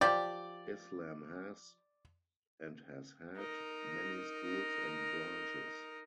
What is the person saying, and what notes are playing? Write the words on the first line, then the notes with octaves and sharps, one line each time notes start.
Islam has, and has had, many schools and branches.
F3 G4 D5
D#4 A#4